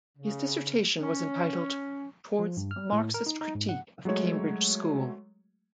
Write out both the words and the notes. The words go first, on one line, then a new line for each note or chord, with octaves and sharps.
His dissertation was entitled "Towards a Marxist Critique of the Cambridge School".
C#3
C#4
F3
G2
F6
A2
A#4
D#4
D#4
G#2
F#5
F#3 G#3 A3 C#5